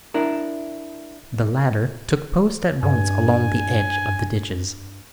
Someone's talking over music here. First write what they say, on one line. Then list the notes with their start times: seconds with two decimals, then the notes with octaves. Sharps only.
The latter took post at once along the edge of the ditches.
0.14 D4 E4 A#4
2.83 G2 G#5